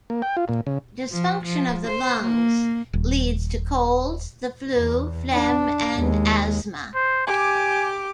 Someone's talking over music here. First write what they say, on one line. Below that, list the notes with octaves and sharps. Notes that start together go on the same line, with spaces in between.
Dysfunction of the Lungs leads to colds, the flu, phlegm, and asthma.
A#3
G5
F4
A#2
C#3
F3
F3
C5
A#3
D#1
E2
D4
D#2 G#3
C5
G4 G#5 D6